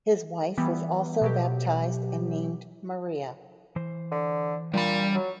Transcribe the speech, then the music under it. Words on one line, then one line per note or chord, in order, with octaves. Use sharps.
His wife was also baptised and named "Maria".
E3 G3 B3
B2 F#3 G4
E3 C5
D3
A#2 E3 G3 D4 B5
F#3